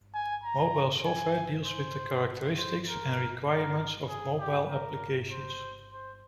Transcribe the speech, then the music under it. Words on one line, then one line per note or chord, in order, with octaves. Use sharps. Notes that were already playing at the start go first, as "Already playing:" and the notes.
Mobile software deals with the characteristics and requirements of mobile applications.
G#5
A#5
G#5
C5
C5
A#4
A#4
G#4
G4
A#4
C5
C5